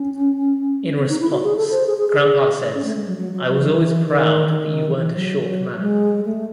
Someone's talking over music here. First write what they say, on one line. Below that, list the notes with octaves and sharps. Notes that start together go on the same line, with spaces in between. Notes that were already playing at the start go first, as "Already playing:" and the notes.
In response, Grampa says, I was always proud that you weren't a short man.
Already playing: C#4
C4
D#4
E4
F#4
G#4
A4
C5
G#4
G#4
G#4
G#4
C#4
A3
G#3
F#3
F#3
F#3
F#3
E3
D#3
E3
D#3
D#3
F#3
E3
F#3
F#3
G#3
A3